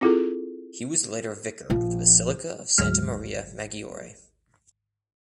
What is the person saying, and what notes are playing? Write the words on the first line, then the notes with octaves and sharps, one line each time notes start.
He was later Vicar of the Basilica of Santa Maria Maggiore.
C4 E4 F4 G#4 A4
A#1 F3
G#1 D2 F#3 G#3 F6